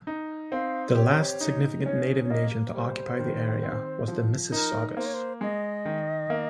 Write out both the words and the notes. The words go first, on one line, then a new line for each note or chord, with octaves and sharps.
The last significant native nation to occupy the area was the Mississaugas.
D#4
C4 F5
G4 C#5
D#4
C#4 C#5
C#5
A#3 D#5
G3 C5
D#3
C4
F3
D#4 A#4
A#3 C5
C#5
C5
G#3 D#5
D#3
A#3